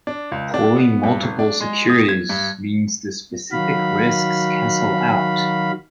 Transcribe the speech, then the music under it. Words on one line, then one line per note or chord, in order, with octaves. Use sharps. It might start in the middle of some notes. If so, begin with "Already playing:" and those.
Pooling multiple securities means the specific risks cancel out.
D4
C#2
D4
B3
G2
G#1
D4
G#3
D#6
G#6
G2
D#3 F#3 F#4 F5 B5